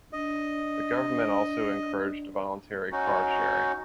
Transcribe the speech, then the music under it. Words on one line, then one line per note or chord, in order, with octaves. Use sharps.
The government also encouraged voluntary car sharing.
D4 D#5
C#4 D#4 F#4